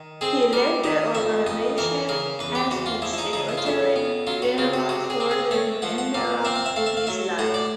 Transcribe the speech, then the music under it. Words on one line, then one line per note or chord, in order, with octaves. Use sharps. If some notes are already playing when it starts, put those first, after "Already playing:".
He led the organisation as its secretary general for the remainder of his life.
Already playing: D#3
C4 G#4
G3 A#4
D#3 D#5
F2 E5
F2 D#5
E3 A#4
C#3 A#4
E2 B4
G4
E2 F#4
F4
F3 E4
E4
D#4
C#3 D#4
E4
F4
F2 E4
B3
F#3 F4
F#4
C#3 F4
F#4
C3 F#4
G#4
C4
G#4
A3 C#5
F3 F#5
F#5
A#2 F5
C4 E5
F5
E5
A3 F5
E5
F5
F#3 E5
A2 F#5
D5